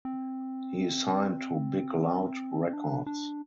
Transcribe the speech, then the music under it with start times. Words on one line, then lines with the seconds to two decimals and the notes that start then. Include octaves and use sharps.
He is signed to Big Loud Records.
0.05 C4
2.73 D4
3.06 D4